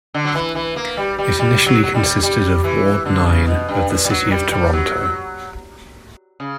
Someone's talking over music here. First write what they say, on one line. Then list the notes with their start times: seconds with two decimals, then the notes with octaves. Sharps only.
It initially consisted of Ward Nine of the city of Toronto.
0.14 D3
0.25 F#3
0.35 E3
0.55 E3
0.76 A#3
0.97 G3
1.18 G3
1.39 G3
1.66 F#3
1.83 F#3
1.95 G3
2.23 G3
2.64 E3
3.05 D3
3.26 C#3
3.47 B2
3.69 G2
3.90 A#2
4.05 G3
4.10 F#3
4.31 G3
4.52 G3
4.73 F#3
6.40 C#3